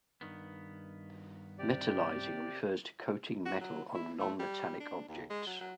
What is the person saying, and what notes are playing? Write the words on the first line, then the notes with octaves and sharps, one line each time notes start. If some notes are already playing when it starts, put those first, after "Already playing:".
Metallizing refers to coating metal on non-metallic objects.
G2 D#3 B3
C3 G4 D5
F#4
F#3
E4
A3
G3
D4
D#2
G#3
F#3
F#3